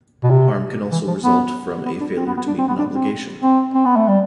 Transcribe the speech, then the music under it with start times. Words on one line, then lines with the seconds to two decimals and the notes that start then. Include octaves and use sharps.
Harm can also result from a failure to meet an obligation.
0.23 B2
0.30 C3
0.92 E3
1.07 F3
1.23 B3
1.86 B3
2.00 D4
2.17 C4
2.27 B3
2.37 B3
2.47 D4
2.58 C4
2.68 B3
2.78 D4
2.94 C4
3.41 C4
3.74 C4
3.85 B3
3.96 A3
4.08 G3